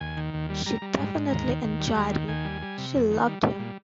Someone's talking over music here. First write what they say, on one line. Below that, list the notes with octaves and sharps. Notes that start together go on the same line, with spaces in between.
She definitely enjoyed him — she loved him.
D#2 G#5
D#3
D#2
G3
G3 A#5
G3
G#2
G#2
D#2 A#5
D#3
D#2
G3
D#2 A#5
D#3
D#2 G#5
G3
G3
C3
F2
D#3
G3
G3
A#2